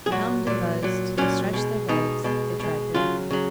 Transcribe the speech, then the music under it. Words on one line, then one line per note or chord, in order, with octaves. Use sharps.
They hummed and buzzed, they stretched their legs, they tried their wings.
G#4
A#2 F#3 F#4
A#2 F#3
A#2 F#3
A#2 F#3 C#4
B2 G#3
B2 G#3 D#4
B2 G#3
B2 G#3
C#3 F#3 F4
C#3 F#3